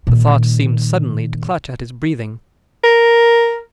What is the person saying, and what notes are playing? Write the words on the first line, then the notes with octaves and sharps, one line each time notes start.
The thought seemed suddenly to clutch at his breathing.
A#2 D#3
A#4